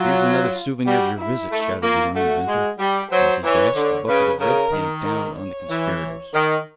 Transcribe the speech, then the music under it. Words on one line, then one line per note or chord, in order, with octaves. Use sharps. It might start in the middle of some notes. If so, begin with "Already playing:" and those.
"Here's another souvenir of your visit," shouted the young inventor, as he dashed the bucket of red paint down on the conspirators.
Already playing: F#3 F4
G3 F#4
E4
A3
A#3 F4
A3 F#4
G#3
G3 G4
F#3 C5
E3 C#5
D3
C#3 B4
C#3 A#4
D#3
A#4
C#5
E3
D#3